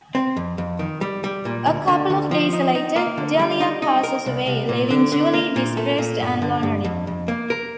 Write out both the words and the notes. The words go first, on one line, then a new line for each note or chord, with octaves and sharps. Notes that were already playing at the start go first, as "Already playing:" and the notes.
A couple of days later, Delia passes away, leaving Julie depressed and lonely.
C4
F2
F2
D#3
G3
G3
A#2
D2
D3
D2
F3
D#4
D#4
A#3
D3
G3
D#4
D#4
A#4
C2
C2
A#2
D3
D3
A#3
A#2
A3
A#2
G2
D3
G2
F2
F2
A#3
A#4